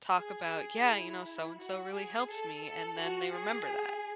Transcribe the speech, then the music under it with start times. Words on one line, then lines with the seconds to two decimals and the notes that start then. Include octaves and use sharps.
talk about, "Yeah, you know, so-and-so really helped me," and then they remember that,
0.18 G#4
0.52 G#4
0.87 E4
1.58 F#4
1.93 G#4
2.29 A4
2.64 A4
2.98 F#4
3.35 G#4